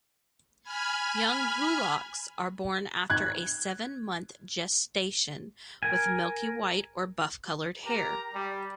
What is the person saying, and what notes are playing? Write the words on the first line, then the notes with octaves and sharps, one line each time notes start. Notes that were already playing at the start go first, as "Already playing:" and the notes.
Young hoolocks are born after a seven-month gestation, with milky white or buff-colored hair.
G#5 B5 F6 G#6
F#6 G#6
A#4 G#5
G4 A#4 A#5
G3